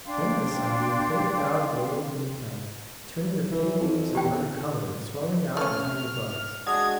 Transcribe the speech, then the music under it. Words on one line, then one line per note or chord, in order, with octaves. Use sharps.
Then the sunbeam played about the little green plant, turning the pale leaves a darker color and swelling out the tiny buds.
D4 F5 G5 C6
E3
F2
E2 G4 G5
A3 C#4 F6
G#3 D4 F#4 D#6 G#6